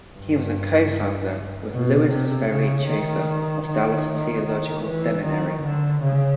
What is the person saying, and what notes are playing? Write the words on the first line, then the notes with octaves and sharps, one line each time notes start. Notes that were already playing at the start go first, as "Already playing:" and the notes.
He was a co-founder with Lewis Sperry Chafer of Dallas Theological Seminary.
G2
B2
C3
C#3
D#3
D#3
D#3
E3
D#3
D3
C#3